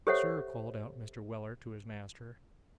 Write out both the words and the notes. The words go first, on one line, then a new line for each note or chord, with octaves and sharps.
'Sir,' called out Mr. Weller to his master.
G4 A4 C5 C#5 E5 F#5